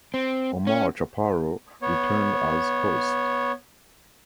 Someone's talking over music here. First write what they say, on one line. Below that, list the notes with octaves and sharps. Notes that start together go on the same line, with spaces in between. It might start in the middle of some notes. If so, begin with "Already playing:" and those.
Omar Chaparro returned as host.
C4
C#4
B3 C#5